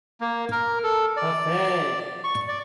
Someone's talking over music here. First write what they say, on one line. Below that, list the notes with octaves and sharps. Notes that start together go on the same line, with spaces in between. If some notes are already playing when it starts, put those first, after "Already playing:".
The Fig.
A#3
A#4
A4
D5
C#6
D5